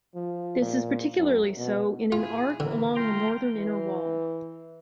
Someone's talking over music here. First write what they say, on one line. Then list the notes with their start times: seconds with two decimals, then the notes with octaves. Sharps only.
This is particularly so in an arc along the northern inner wall.
0.15 F3
0.61 A#2
1.19 F#2
1.58 B2
2.12 E4 F4 G#4
2.60 D3 E3 A#3
2.96 A3 F4 G5 A#5 C6
3.56 E3